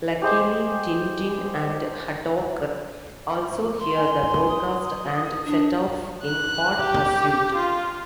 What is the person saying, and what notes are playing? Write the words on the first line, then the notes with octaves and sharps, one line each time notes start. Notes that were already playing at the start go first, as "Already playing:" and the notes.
Luckily, Tintin and Haddock also hear the broadcast and set off in hot pursuit.
G4 G#4 C5 D#5
C6
G#5
D#6
D4
F#6
G4
F4